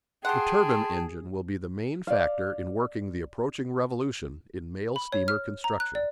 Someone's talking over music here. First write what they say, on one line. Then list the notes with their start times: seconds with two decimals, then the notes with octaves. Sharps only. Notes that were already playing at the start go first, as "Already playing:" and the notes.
The turbine-engine will be the main factor in working the approaching revolution in mail steamer construction.
0.25 G4 G#4 F#5 G5 A5 C6
2.07 D5 F5
4.96 B5
5.12 C#5
5.28 F6
5.64 A#5
5.80 F#6
5.95 D5